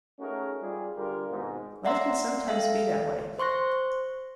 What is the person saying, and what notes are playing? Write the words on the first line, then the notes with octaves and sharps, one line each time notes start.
Life can sometimes be that way.
A3 C#4 D#4 F#4 G#4 A#4
F3 G3 G#4
D3 G3 F4 G4 A#4
G#1 G#2 B2
D5 E5 F#5 A#5 C6 E6
A4 E5 F5 G5
C5 C6 C#6 F#6 A#6